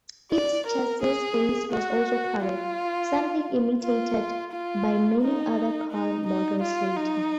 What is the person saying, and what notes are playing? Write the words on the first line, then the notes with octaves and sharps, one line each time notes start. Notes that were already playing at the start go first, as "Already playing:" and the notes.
Its chassis base was also covered, something imitated by many other car models later.
D5
A#4
G#4
F#4
F4
F4
F4
D#4
D#4
D#4
F4
D#4